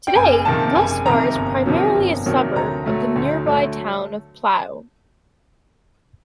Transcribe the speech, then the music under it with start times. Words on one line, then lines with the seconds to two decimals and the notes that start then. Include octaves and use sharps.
Today, Lescar is primarily a suburb of the nearby town of Pau.
0.07 G5
0.15 F#1 G#5
0.45 F2 C3 D#3 A5
0.75 F#1 G#5
1.05 F2 C3 D#3 A#5
1.35 G1
1.66 F2 C3 D#3 F#3
1.96 G1
2.26 F2 C3 D#3 F#3
2.56 D2 A#5
2.86 D3 F#3 A3
3.16 D2
3.46 D3 F#3 A3